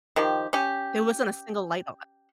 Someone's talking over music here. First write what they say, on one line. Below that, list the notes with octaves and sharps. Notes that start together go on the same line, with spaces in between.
There wasn't a single light on.
D#3 F3 G4
C#4 G4